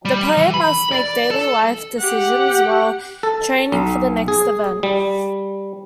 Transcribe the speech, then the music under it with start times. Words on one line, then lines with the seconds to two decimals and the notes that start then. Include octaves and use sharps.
The player must make daily life decisions while training for the next event.
0.05 G3
0.37 E3
0.54 B5
0.92 D5
1.31 A4
1.99 G4 F#5
3.23 A4
3.72 B1
4.28 G#4
4.83 G3